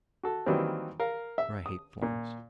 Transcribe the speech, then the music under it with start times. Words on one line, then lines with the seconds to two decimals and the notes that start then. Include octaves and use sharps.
For I hate Florence.
0.23 F#4 A4
0.46 D#3 E3 F#3 G3 A#3 C4
1.00 A#4 F5
1.38 E5
1.66 D#6
2.02 A#2